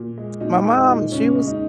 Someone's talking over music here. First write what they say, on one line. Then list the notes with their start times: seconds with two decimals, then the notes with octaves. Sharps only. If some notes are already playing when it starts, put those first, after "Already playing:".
my mom, she was
Already playing: A#2
0.18 G#3
0.41 A#2 D#4
0.65 G#3
0.77 D#4
0.88 A#2
1.12 C#3 C#4
1.35 G#3
1.48 D#4